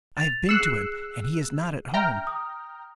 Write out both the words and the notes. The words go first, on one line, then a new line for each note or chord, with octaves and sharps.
'I have been to him, and he is not at home.
A6 F7
G#4 E6 F#6 C7 C#7
E5 G5 A#5 F6
D#6